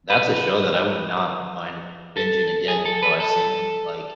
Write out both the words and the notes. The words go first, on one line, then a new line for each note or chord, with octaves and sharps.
that's a show that I would not mind bingeing again, even though I've seen it, like
B4
A4
G#4
A4
B4
A4